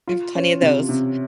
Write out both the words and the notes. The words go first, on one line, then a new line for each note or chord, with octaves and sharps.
I have plenty of those.
F4
C#4
C3
C3